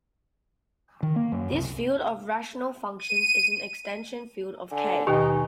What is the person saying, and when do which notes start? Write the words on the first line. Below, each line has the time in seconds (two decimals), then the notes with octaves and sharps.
This field of rational functions is an extension field of "K".
1.03 D#3
1.16 A#3
1.32 F#2
1.52 C2
2.99 D#7
4.72 D3 G#5
5.07 D#2 B2 D#3 D#4 G4